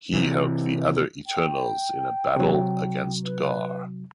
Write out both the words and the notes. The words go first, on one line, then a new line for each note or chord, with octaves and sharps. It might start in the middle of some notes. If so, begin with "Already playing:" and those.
He helped the other Eternals in battle against Ghaur.
C3 E3
G5
C3 F#3
B4